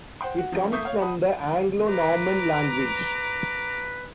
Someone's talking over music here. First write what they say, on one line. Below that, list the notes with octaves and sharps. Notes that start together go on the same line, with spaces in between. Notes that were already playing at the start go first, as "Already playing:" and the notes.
It comes from the Anglo-Norman language.
C5 F#5 G5 C6
F#4
F3 F#3 C#4
A3 A#3 E5 C#6 D#6 G6
C#5 F5
F#5 A5 B5 D#6
B4 A#5 D6